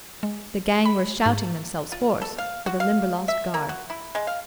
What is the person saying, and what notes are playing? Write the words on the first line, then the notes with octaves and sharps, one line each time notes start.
The gang were shouting themselves hoarse for the Limberlost guard.
G#3
B5
G#2
F4
A4
F5
F#4
F5
E5
A#3
F#4
E4
G#3
F5